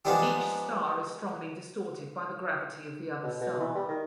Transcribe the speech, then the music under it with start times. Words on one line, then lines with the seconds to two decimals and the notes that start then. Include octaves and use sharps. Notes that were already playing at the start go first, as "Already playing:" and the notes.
Each star is strongly distorted by the gravity of the other star.
0.05 F3 G#3 B3 D4 D#4 G4
3.23 B2
3.41 B2
3.60 E3
3.75 G3
3.88 D#3